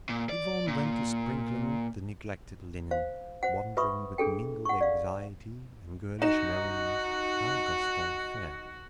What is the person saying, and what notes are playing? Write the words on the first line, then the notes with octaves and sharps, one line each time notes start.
Yvonne went to sprinkling the neglected linen, wondering with mingled anxiety and girlish merriment how Gaston fared.
A#2
D5
A#2
C5 F5
C5 F#5
B4 E5 B5 C#6 D#6
D4 G#4 A4 G5
F#5 C#6
D5 F5
D#4 F#4 E7